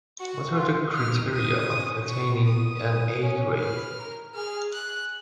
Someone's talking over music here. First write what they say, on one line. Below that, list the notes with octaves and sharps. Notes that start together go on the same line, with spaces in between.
What are the criteria of attaining an A-grade?
F#4 C#6
F4
D#4 F6
D#6
C#4
C#6
B3 D#6
C#4
B4 F6
A#4
G#4 F6
F#6